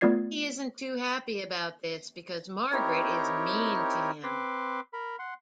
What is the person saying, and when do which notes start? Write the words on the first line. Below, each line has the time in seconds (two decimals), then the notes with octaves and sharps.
He isn't too happy about this, because Margaret is mean to him.
0.01 A3 B3 F4 D5 G#6 C7
2.73 C4 D#4 E4 G4 A#4 C#5
4.24 C4 B4 C6 D6
4.93 A#4 B5
5.19 F#5 C6